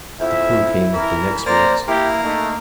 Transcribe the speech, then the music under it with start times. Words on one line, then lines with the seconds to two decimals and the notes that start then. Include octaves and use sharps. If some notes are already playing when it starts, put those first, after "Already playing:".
A clue came with the next words.
0.20 F2 E4 E5
0.93 E3 A#4
1.46 A#3 C5 D5 A#5
1.88 A#3 E4 G4
2.23 A3 D#4